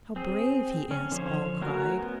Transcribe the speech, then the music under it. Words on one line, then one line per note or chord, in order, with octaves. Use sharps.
'How brave he is!' all cried.
C4 G#4
C#4
D3 F3 C5 C#5
A3 C#4 F#4 A#4
B3